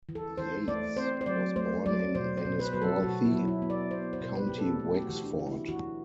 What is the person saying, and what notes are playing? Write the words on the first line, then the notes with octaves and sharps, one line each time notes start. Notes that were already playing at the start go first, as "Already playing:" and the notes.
Yates was born in Enniscorthy, County Wexford.
E3
A4
E3 C5
A3 D5
C4 C5
C5
F#3 D5
A3 C5
F#3 D5
B2 C5
C5
B2
B4
C5
F#3 B4
A4
B2 F#4
E4
F#3
E4
B3
D5
B3 C5
C5
B2
B4
B2 G4
A4
A3
G4
F#4
E3
D4
E3
E4
E3 F#4